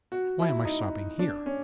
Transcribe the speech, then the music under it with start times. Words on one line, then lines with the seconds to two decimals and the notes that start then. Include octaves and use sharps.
"Why am I stopping here?"
0.12 F#4
0.39 E4
0.65 D#4
1.19 D4
1.46 C#4